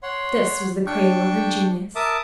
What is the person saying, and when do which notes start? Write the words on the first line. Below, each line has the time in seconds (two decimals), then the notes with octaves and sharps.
This was the cradle of her genius.
0.03 C#5 F#5 C6
0.86 D4 G5 C#6
1.96 A#4 E5 A5 D6 D#6